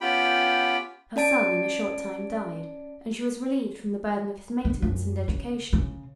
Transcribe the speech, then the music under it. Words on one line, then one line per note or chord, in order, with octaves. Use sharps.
Her son in a short time died, and she was relieved from the burden of his maintenance and education.
B3 C#4 F4 G4 G5 B5
C#4 D5 A5 D7
D3
F#2
C#3
C#3